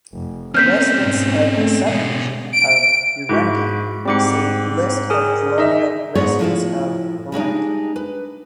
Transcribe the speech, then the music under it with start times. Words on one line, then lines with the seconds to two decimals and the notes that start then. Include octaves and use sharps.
For residents of the subregion of Urundi, see List of colonial residents of Burundi.
0.13 F1
0.54 A#3 C4 C#4 F6 G6 B6
0.98 G#2 B2
1.54 A3
1.87 B2 G#3 G#4
2.53 D7
3.29 G#2 E4 F#4
4.05 G#2 G3 C4 D6 C#7
5.10 G#4 A#4 G#5
5.58 D#4 E5
6.15 G#2 G#3 B3 G#4 A4 C#5
6.39 A2 F3 E4 A5
7.32 G3 G#3 D4 D#4
7.96 B4